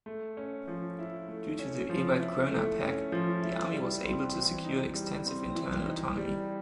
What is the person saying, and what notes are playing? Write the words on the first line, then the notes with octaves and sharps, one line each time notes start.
Due to the Ebert-Groener-Pact the army was able to secure extensive internal autonomy.
A3
C#4
F3
E4
A3
C#4
F3
E4
A3
C#4
F3
E4
G3
C4
E3
D#4
G3
C4
E3
D#4
G3